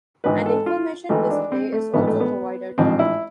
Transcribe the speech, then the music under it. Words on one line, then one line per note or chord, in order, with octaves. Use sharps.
An information display is also provided.
G#1 G#2 E3 B4
A4
F4
G#1 G#2 E3 A3
D4
C4
A3
A1 G#2 F3 B3
A3
B3
A1 G#2 F3 C4
E4